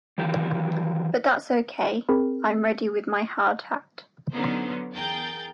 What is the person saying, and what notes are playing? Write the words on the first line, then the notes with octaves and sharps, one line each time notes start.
But that's okay-I'm ready with my hard hat.
D#3 E3 F#3 G4 A#4
C4 G#4 A#4 B5
D3 F#3 B3 C#4 D#4 C5
E2 G#4 A#4 G5 G6 A6